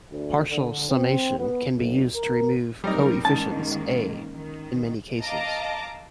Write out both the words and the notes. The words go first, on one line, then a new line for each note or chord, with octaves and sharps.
Partial summation can be used to remove coefficients "a", in many cases.
D2
D3
C4
B3
B1
A#4
F#3 G3 C4 D#4 A#4
G#2 D#3 A#3 C#4 A5
D#3
D#5 F5 A5 A#5 D6